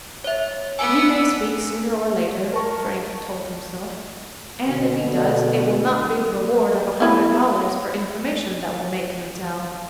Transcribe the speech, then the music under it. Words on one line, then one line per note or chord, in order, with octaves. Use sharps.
"He may speak sooner or later," Frank told himself; "and if he does, it will not be the reward of a hundred dollars for information that will make him tell."
C#5 E5
B3 G#5 D6 E6
A#4 A5 C#6
B2 D3
B3 E4 B4